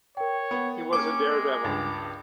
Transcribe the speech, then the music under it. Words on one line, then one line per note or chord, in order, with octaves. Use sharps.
He was a daredevil.
A#4 C#5 G5
B3
A#3 C#4 D6
G#3
C#2 G2